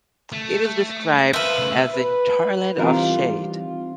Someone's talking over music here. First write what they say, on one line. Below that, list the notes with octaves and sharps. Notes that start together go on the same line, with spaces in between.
It is described as intolerant of shade.
A3
B4 C5 E5 F5
C#3 A3
B4
E3 G3 C4 D#4 F4 A#4
F4